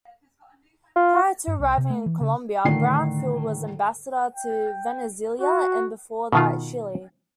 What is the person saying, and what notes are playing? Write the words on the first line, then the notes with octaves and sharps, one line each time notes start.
Prior to arriving in Colombia, Brownfield was Ambassador to Venezuela, and before that Chile.
F4
G2
C2
C3
A3
E3
C#3
A2 D3 D#3 C7
G5
F#4
B2 D#3 F4